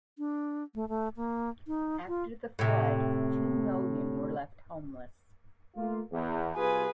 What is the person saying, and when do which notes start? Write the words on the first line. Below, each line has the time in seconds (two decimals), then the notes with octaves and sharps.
After the flood, two million were left homeless.
0.18 D4
0.75 A3
0.89 A3
1.17 A#3
1.67 D#4
2.08 F4
2.59 A2 C3
5.76 A3 A#3 F4
6.13 E2
6.55 C2 F4 G#4 B4 G#5